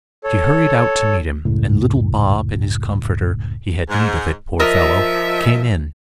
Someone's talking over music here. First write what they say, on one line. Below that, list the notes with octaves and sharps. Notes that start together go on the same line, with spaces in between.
She hurried out to meet him; and little Bob in his comforter --he had need of it, poor fellow--came in.
A4 C#5
C#2 F#2 A2 C#3
G#2
F3 A#4 D#5 E5